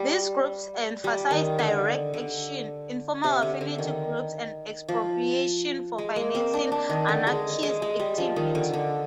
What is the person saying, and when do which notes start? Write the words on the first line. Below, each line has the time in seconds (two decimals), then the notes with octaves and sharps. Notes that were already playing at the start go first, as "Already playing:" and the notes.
These groups emphasized direct action, informal affinity groups and expropriation for financing anarchist activity.
Already playing: G3
1.04 G3
1.31 D#3
1.59 D3
2.14 D3
3.24 C3
3.42 D3
3.61 D3
3.78 D#3
4.89 F3
5.98 G#3
6.16 A#3
6.35 C4
6.54 D4
6.72 D4
6.90 D#3
7.08 D3
7.27 G#3
7.63 G#3
7.82 G#3
8.00 G3
8.18 F3
8.36 D#3
8.55 D3
8.73 D3